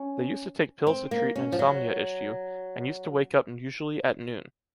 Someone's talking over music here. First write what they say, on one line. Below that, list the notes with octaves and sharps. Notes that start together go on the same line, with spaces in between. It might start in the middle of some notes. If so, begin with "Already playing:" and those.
They used to take pills to treat an insomnia issue, and used to wake up usually at noon.
Already playing: C#4
C4
A#3
C#4
F3
F#3